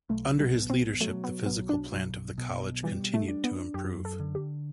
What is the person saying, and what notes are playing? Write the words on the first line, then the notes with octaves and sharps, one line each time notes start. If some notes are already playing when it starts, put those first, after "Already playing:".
Under his leadership, the physical plant of the College continued to improve.
B1 A3
G3
B2
C4
F#3 A3
B3
B1 B3
D4
B1 F#3
B2
E3 G3
A3
D4
B3
F#2 G4
A4
D3
G4